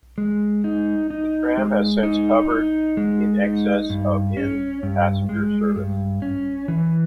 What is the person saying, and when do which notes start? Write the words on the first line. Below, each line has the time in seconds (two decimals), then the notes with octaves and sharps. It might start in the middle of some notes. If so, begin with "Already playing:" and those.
The tram has since covered in excess of in passenger service.
0.18 G#3
0.64 D#4
1.10 D#4
1.57 G#3
2.03 D#4
2.50 D#4
2.97 G#3
3.43 D#4
3.90 G2
4.37 C#4
4.83 G2
5.29 G#3
5.76 G2
6.22 C#4
6.68 E3